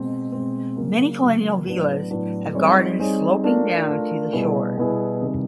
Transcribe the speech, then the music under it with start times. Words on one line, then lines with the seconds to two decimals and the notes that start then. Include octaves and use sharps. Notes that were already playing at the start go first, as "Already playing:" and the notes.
Many colonial villas have gardens sloping down to the shore.
Already playing: B2 G#3 C4
0.32 B2 G#3 C4
0.77 C#3 F#3 A#3
1.21 C#3 F#3 A#3
1.66 A2 F#3 B3 D4
2.10 A2 F#3 B3 D4
2.54 G3 C4 D#4 G#4 C#5
3.00 G3 C4 D#4 G#4 C#5
3.44 A3 D4 F4 A#4
3.88 A3 D4 F4 A#4
4.33 B2 G3 B3 E4 G#4
4.77 B2 G3 B3 E4 G#4
5.22 C3 D#3 G3